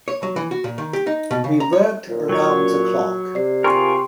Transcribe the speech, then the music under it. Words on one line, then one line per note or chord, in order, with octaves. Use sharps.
We worked around the clock.
C#5
F#3
E3
F#4
A#2
D#3
G4
D#4
B2
C#3
A#5
C#5
A#2
F#3 C#5
C3 D5 C7
F4 G#4 A#4 G5 C6 C#6